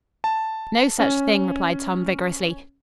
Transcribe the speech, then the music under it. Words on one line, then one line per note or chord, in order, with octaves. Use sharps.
"No such thing," replied Tom vigorously.
A5
C#4